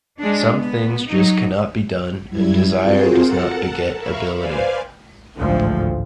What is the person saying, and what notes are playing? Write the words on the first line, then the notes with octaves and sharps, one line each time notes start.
Some things just cannot be done, and desire does not beget ability.
G#3 D4
B3
F#3 D#4
F#2 G3 E4 G#6
C4 F4 F#4 G#4 A#4 C5
A4 A#4 F#5 A5
A#4 E5 F5 B5 C#6
B4 C5 D5 F5 G#5
A1 D2 G#2 F3